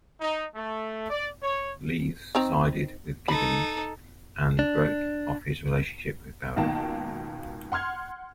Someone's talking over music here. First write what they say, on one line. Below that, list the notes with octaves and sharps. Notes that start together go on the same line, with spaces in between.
Leese sided with Gittens and broke off his relationship with Baron.
D#4
A3
D5
C#5
D#3 C4 A#5
D#4 A4 B5
D4
C#2 B2 D#3 A#3 A5
F#5 C6 F6 G#6